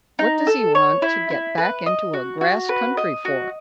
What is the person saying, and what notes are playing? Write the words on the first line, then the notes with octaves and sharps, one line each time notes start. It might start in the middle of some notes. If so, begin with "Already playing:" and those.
What does he want to get back into a grass country for?
D#4
A4
C#5
E4
E4
B4
D#5
F#4
F#4
B4
D#5
F#4